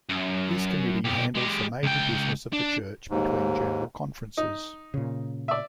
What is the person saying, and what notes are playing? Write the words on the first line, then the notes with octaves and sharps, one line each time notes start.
This committee handles the major business of the church between General Conferences.
F#2
B1 G4
G#3 G4
C#2 G5
D4
D#2 G#2
D#4
A#2 C#3
D5 E5